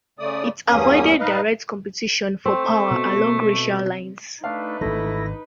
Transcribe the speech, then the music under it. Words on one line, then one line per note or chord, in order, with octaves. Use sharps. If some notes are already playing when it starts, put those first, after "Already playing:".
It avoided direct competition for power along racial lines.
C#3 A3 D5 D#6
E2 G2 A#3 C#4 D#6
D#4 B4 D#5 F5
A3 C4
B2
A3 D4 D#4 B4 F5
G#1 D3 A3 E4 A#6